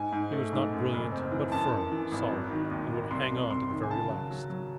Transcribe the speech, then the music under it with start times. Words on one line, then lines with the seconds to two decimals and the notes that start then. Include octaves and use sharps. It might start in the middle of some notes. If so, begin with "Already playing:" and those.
He was not brilliant, but firm, solid, and would hang on to the very last.
Already playing: G#2 G#5
0.12 G#2
0.32 A3
0.53 G#2
0.73 F#2
0.92 F#1
1.12 C4
1.32 E3
1.52 F#2 A5
1.72 F#2
1.92 E3
2.12 G#1
2.32 F#3
2.51 D#3
2.71 D#2
2.91 D#2
3.11 C2 C6
3.31 C2
3.50 C3 C6
3.71 D#3
3.83 G#5
3.91 C#3 A5
4.10 F#3
4.31 F#3
4.50 F#3